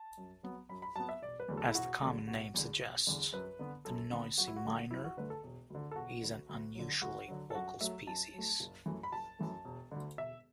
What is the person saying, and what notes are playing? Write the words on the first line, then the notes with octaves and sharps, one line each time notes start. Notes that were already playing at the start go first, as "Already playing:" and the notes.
As the common name suggests, the noisy miner is an unusually vocal species.
Already playing: A5
F#2
F#3 B3
F#2 B5
B5
F#3 B3 A5
E5
E1 D5
B4
E2 D3 F#3 A3
A4
E4
E1 F#4
E2 D3 F#3 A3
E1 F#4
E2 D3
E1
E2 D3
F#2 B4
D3 B3
F#2 A4
D3 B3
F#2 F#4
E4
F#4
D3 A3
F#2 E4
F#4
D3 A3 B4
A4
E1
D2 D3
A4
E1 F#4
D2 D3
D2
D3 F#3
D2 F#4
D3 F#3
A4
F#2 F#4
F#3 A3 E5
F#2 A5
F#3 A3
F#1
F#2 E3 A3
B5
F#1 A5
F#2 E3 A3
E1
D2 D3
E1 E5